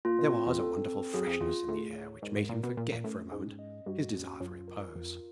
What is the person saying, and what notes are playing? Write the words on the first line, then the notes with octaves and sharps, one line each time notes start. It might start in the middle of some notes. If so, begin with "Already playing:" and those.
There was a wonderful freshness in the air which made him forget for a moment his desire for repose.
A#2 F4
B2
C4
E2
A4
C4
F#2 G#4
F2
E2 F4
A2 G#4
C#5
G#2 A#4
G#2
A#2 A#4
B2
A#2 A#4
A#2
A2 C#4
G#2 C#4
D#5
G2 F#4
C#4
F#2 F4
A#4
F2 F4